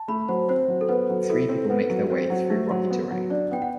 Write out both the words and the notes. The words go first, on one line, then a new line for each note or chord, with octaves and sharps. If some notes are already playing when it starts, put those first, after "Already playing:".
Three people make their way through rocky terrain.
Already playing: A5
A3 B5
F#3 C5
C4 C5
F#3
A4
B3 B4
F#3
E4 A4
C4
B3 B4
F#3
C4 C5
F#3
A3
F#3
B3
F#3
D4 D5
B3 G5
F#5